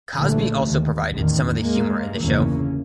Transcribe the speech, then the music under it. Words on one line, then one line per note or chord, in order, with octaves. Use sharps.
Cosby also provided some of the humor in the show.
A#1 D3 E3 A3
D#2
A1 E2 D3 D#3
G#3 A#3
G1 E2 C#3 E3 A#3 C#4